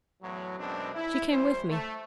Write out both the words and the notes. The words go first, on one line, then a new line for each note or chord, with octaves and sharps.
She came with me.'
E2 A2 F#3
F#2 B2 G#3 C4 D4
E4
A1 G3 C#4 C5
A3